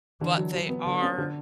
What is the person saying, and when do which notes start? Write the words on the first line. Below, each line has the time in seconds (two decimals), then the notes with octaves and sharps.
but they are
0.20 D3 E3
0.37 F#3
0.54 E3 F#3
0.69 B3
0.86 D3 F#3
1.02 C#4
1.18 D3